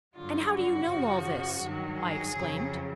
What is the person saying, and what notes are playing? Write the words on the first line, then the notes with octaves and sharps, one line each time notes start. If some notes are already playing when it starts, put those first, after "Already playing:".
"And how do you know all this?" I exclaimed.
G2 D3 F#3 F4
F#4
F#2 C#3 F3
G2 D#3 F#3
G#4
F2 C#3 F#3